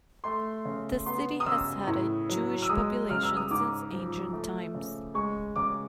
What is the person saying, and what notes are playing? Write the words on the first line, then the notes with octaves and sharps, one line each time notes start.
The city has had a Jewish population since ancient times.
A3 C6
C#3
B3 C6
D#6
C#3 E6
A2
F#3
E6
G#3 D#6
C#3 F6
E6
D#6
G#2 D6
F3
A3
C#3
G#3 C#6
C#3 D6